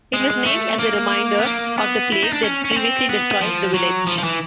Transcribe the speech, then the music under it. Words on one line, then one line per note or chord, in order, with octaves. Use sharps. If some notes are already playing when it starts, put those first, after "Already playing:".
It was named as a reminder of the plague that previously destroyed the village.
G#3
A3
A#3
B3
A#3
B3
E4
D#4
D4
C#4
C#4
C4
B3
F3
F#3
F3
F3
E3